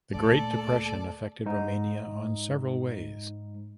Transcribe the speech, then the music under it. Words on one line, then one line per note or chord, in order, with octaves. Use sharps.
The Great Depression affected Romania on several ways.
D2 A#2 A4 D5
G#2 D#4